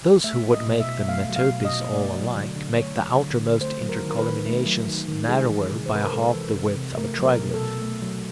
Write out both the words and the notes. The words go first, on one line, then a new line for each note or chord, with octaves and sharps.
Those who would make the metopes all alike, make the outermost intercolumniations narrower by half the width of a triglyph.
A3 E5
F#3
D#5
B2
E5
B2
E5
A3 F5
F#3
F5
B2
D#5
B2
A3 D5
F#3
D3
D3
A3 C#5
F#3
D3
D3
A3 C5
F#3
A#4
D#3
A#4
B4
D#3
A3
F#3
D#3
D#3
G#3 G#4
E3
C3
C5
C3 B4
A#4
G#3 A4
E3
C3
C3
A3 A#4
F#3
A#4
B2
A4
B2
A3
F#3